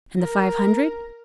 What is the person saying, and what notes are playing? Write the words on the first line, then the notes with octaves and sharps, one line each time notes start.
"And the five hundred?"
A#4